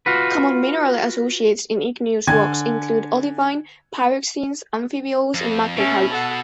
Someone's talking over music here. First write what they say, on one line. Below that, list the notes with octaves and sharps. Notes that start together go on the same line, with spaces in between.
Common mineral associates in igneous rocks include olivine, pyroxenes, amphiboles and magnetite.
F4 F#4 B4
D3 G#5 G#6
F2
B2 A3 C#4
A4 F#5